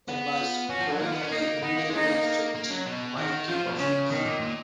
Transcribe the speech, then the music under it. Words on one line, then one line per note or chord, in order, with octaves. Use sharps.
Emma's going away immediately after tea might give offence.
B3
F4
C#4 F#4
F3
F#3
A#3 F4
B3
C#4
A#3 D#4
B3 D#4
A#3
G#3 D#4
A#3
A#3
F#3
B2
D#3 F#4
F3 F4
B2
C#3 C#4
B2 D#3
A#2
A#2